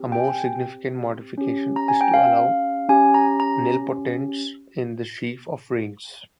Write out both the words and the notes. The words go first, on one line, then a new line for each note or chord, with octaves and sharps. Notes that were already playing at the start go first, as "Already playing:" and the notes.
A more significant modification is to allow nilpotents in the sheaf of rings.
Already playing: C4 G4
G5
G#5
G5
C#4 G4
A#5
G#5
G5
F5
C#4 G4 G#5
A#5
A#5